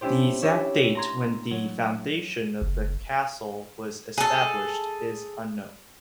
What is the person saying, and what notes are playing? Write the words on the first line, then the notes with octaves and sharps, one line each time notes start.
The exact date when the foundation of the castle was established is unknown.
A3 C#4 D4 E4 G4 C5
D4 E4 G4 C#5 E5
A#5 C6 G#6
F#3
F#1
G#4 A4